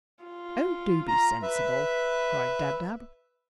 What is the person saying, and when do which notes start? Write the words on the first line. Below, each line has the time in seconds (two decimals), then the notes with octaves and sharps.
"Oh, do be sensible!" cried Dab-Dab.
0.24 F4
1.08 A#5
1.42 B4 E5